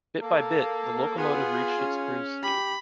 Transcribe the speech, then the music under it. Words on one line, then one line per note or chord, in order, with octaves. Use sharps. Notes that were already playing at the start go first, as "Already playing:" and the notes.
Bit by bit, the locomotive reached its cruise speed.
A#3 A4
B3 F4 G#4
C#4
G4 B5